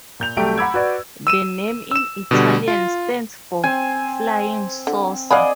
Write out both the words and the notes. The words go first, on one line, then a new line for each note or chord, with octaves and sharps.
The name in Italian stands for "Flying Saucer".
A#2 G6 F7
C2 F#3 A3 G4 D7
F#5 A#5 B5 D6 E6 G#6
F#4 B4 D5
E6 D#7 E7
E6 E7
B2 D3 G3
F4
C4 G#5
D3
G#4 D5 D#5 F5 F#5 B5